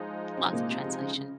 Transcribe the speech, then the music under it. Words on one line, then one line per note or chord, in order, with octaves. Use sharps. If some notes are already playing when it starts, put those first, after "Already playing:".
lots of translation.
Already playing: F3 G#3 D#4
C3 C4
A#2 A#3
C3
C3
C#3
C#3